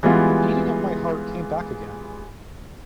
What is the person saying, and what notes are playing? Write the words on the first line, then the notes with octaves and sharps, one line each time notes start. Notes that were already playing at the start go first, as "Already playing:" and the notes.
The beating of my heart came back again.
E3 G3 G#3 B3 F4